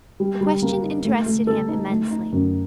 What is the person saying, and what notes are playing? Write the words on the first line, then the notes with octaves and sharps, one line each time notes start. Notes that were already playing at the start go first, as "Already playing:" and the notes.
The question interested him immensely.
G3
G3
A#3
D#4
A3
A3
A4
D#4
A3
D#4
F#2